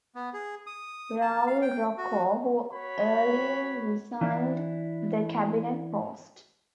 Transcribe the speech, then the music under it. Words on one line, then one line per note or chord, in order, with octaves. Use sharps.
Raul Roco, who earlier resigned the cabinet post.
B3
G#4
D#6
A5
F5
G5
F#4
F#4 C#5 B5
E3 D4 E4